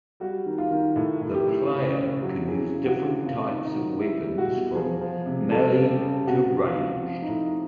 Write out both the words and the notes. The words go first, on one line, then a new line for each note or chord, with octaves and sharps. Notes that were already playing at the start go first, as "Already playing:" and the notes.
The player can use different types of weapons from melee to ranged.
G3 F#4
D#3
F4
D#3
A2
A2
G4
A2
C#3
C#3
F#3
E3 G#4
C#3
F#4
C#3
C3 F4
D#3
D#4
F#3
G3 E4
G3
F#4
B2
F3 G#4
F3
C3
G3 A4
C#3
G4
C#3
C3 F#4
F3
F4
C3
F3 F4
D#4
A2
D#4